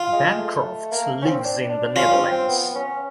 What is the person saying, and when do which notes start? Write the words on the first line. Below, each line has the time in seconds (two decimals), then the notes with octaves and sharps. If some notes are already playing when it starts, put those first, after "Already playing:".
Bancroft lives in the Netherlands.
Already playing: F4
0.12 G#3
0.38 A3
0.91 A#3
1.22 C#4
1.26 C4
1.44 D4
1.69 D4
1.96 C#4 F4
2.13 C4
2.31 C4
2.48 B3
2.75 C#4